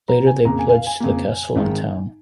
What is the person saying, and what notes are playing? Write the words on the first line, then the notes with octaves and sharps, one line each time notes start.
Later, they pledged the castle and town.
A#5
G#5
F2 C#3 A#3 A#5
G#5
G#5
F5
G#5
F2 C#3 A#3
G#1 G#2 D#3 G#3